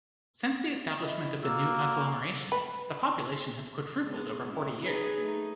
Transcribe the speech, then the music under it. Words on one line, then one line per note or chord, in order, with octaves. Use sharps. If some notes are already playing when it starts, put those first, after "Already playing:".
Since the establishment of the new agglomeration, the population has quadrupled over forty years.
E4 D#5
A#3 F#4 E6
B4
G#3 B3
C#4 E4
D#4 G#4 B4
A3 D#4